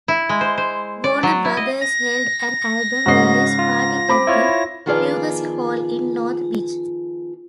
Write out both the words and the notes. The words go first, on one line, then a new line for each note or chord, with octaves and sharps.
Warner Brothers held an album release party at the Fugazi Hall in North Beach.
E4
G#3
C5
C5
D5
F#3
E4
D#5
A#6
G#2 C#3 F#4 D#5 C7
F4
C4 B5 D6
E4 F4 C#5
D#3 F3 B3 F4 G#4 D5